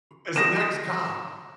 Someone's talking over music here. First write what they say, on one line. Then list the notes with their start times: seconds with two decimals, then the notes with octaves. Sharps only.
as an ex-cop,
0.36 D#6 A#6 E7